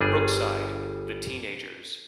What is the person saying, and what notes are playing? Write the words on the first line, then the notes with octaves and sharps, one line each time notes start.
Brookside: The Teenagers.
G1 G3 D4 G#4